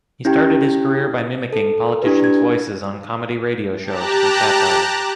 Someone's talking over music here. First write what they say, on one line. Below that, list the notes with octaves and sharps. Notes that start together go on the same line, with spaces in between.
He started his career by mimicking politicians' voices on comedy radio shows for satire.
C#4 E4 G4 G5
A4
D4 E4 G4 B4
G#6
G4 A5 A#5 F#6